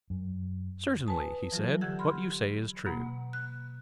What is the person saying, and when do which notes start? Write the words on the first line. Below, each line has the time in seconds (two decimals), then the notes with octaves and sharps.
Certainly, he said, what you say is true.
0.10 F#2
1.07 B4 G#5 A5 D#6
1.52 E3 F#3 F4 A4
1.81 D3 G4 F#5 E6 G#6
1.99 B5 C6 F6
2.86 B2 A#3 F#5 B5
3.33 F#6